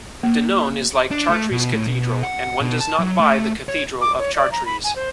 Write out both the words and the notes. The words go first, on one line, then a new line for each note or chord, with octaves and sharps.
Danone is like Chartres cathedral, and one does not buy the cathedral of Chartres.
A#3
D4
A3
B2
A2
B2
F#5
B2
A5
F#3
A3
C#5
D6
C#5
D5
A#5
B5
G#5
C5